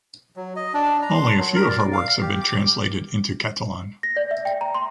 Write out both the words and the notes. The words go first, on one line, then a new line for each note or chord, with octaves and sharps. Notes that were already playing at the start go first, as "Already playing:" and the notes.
Only a few of her works have been translated into Catalan.
F#3
D#5
D4
A#5
C6
F#3
A#4
D5
F5
G4
D6
A#6
D5
E5
G5
A#5
C6